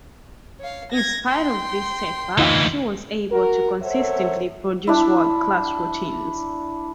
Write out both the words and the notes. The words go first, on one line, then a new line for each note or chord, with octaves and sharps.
In spite of this setback, she was able to consistently produce world-class routines.
C#5 F5
G#6 A#6
G5 C6
D2 E3 D#4 F4
F#4 A#4
A4 A#4 C5 C#5 E5 F#5
D4 E4